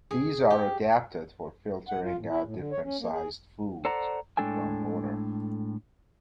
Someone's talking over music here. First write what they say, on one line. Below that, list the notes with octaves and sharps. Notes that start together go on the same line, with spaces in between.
These are adapted for filtering out different sized food from water.
G#4
G4
F#5
F4
A2
E4
A2
D3
C#5
C#4
A#3
G#4
A4 C5 D5 F#5 A#5
A2 G#3 D4 A4 G5 G#5